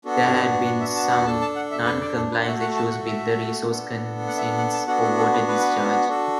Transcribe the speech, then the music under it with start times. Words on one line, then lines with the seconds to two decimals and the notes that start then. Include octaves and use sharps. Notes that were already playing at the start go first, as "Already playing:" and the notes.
There had been some non-compliance issues with the resource consents for water discharge.
0.05 B3 D4 F#4 A4
0.20 D5
0.35 A4
0.65 F#5
0.80 E5
0.96 A5
1.11 F#5
1.25 D4 A4 A5
1.41 A5
1.56 F#5
1.71 E5
1.85 B4
2.01 D5
2.16 A4
2.32 B4
2.41 F#5
2.46 A3 F#4 A4 E5
2.61 F#5
2.76 A5
2.91 F#5
3.06 E5
3.67 B3 D4 A4
4.27 F#5
4.37 E5
4.42 F#5
4.58 F#5
4.73 A5
4.87 B3 D4 F#4 A4 F#5
5.03 A4
5.18 A4
5.33 B4
5.48 B4
6.08 D4 F#4 A4